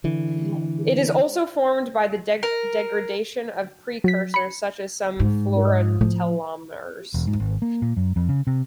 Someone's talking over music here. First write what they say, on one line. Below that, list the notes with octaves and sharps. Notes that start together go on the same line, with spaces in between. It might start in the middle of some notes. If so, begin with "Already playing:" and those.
It is also formed by the degradation of precursors such as some fluorotelomers.
D3 E3
A#4
F#3 B6
B5 C#7
G#2
A2 F3
E1
G#2
G#1
A#3
A#2
F#2
F2
C#3
C3